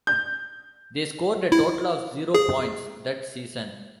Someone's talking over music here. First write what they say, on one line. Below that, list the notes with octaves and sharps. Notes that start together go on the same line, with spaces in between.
They scored a total of zero points that season.
G6
E4
G#4